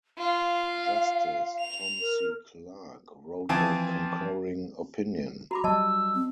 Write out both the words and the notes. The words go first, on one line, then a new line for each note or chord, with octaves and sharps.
Justice Tom C. Clark wrote a concurring opinion.
F4 F5
F7
A#4
E3 F3 C4 G#5 A5 D7
F#4 A#5 B5 D6
F#3 G3 D5 D#5 A5 E6
C4